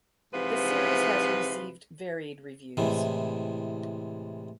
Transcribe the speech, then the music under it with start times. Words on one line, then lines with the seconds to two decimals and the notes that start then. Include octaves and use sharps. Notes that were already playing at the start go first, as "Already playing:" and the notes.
The series has received varied reviews.
0.33 G#2 C3 E3 F3 B4
2.77 A2 C3 E3 G#3